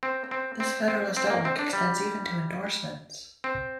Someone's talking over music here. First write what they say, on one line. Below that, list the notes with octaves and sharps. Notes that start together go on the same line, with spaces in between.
This federalist outlook extends even to endorsements.
C4
C4
C4
C4
C4
A#3
C4
D4
G3
C4